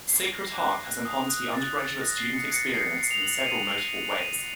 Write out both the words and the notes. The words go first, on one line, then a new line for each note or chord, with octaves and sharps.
Sacred Heart has enhanced the undergraduate student experience in several notable ways.
C7
A#6
F#6
D#6
F#6
A6
A#6
C7
C#7
C#7
C7
C#7
F7
F#7
F7
D#7
F#7
D#7